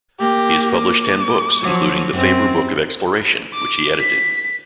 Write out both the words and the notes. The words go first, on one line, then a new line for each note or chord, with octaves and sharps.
He has published ten books, including the "Faber Book of Exploration", which he edited.
A#3 G4
D6
F3 F#3
F#2 C4
D6
B6